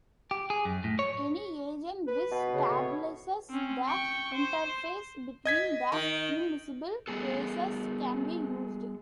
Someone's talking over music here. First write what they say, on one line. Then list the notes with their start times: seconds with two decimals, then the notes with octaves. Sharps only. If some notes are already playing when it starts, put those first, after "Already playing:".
Any agent which stabilizes the interface between the immiscible phases can be used.
0.31 G4
0.50 G#4
0.65 F#2
0.84 A2
0.99 C#5
2.07 B4
2.31 B2
2.54 C#3
2.70 A2 C#5
3.50 C4 C#4
3.86 G5 C#6
4.34 C5
5.45 D#5 G#6 B6
5.92 D#3
7.08 G3 B3 G#4 A4